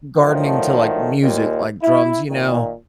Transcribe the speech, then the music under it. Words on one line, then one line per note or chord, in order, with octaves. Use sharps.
gardening to, like, music, like, drums, you know,
A2 D3 D#3 F3 F#3 A3
D#2 A#2
E4
A#2 D#3